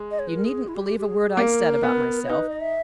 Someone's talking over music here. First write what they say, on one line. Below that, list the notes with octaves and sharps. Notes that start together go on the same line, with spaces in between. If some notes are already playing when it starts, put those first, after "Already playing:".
You needn't believe a word I said about myself.
Already playing: G#3
D#5
C#5
B4
A#4
G#4
E4
G4
G4
G#4
A#3 A#4
B3
C#5
D#4 B4
D#5
E5